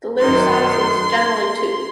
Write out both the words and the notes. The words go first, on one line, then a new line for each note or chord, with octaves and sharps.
The litter size is generally two.
F#2 D#3 F#3 C6